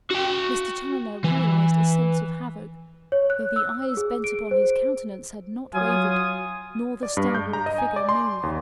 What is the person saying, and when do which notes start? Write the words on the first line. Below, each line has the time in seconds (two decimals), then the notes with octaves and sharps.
Mr. Challoner realised a sense of havoc, though the eyes bent upon his countenance had not wavered, nor the stalwart figure moved.
0.11 F#4 G5
1.24 E3
3.12 C#5
3.30 F#6
3.56 E6
3.97 G#4
4.24 D7
4.51 C5
5.74 F#3 F4 G#5 D#6
7.03 D5
7.17 G2
7.35 G6
7.53 A#5
7.66 D#5
7.78 G#5
7.96 D5
8.09 C6
8.43 D#2